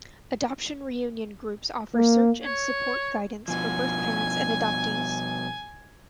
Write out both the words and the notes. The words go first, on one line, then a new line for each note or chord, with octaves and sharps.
Adoption Reunion groups offer search and support guidance for birth parents and adoptees.
A#3
C#5
B2 F3 G#5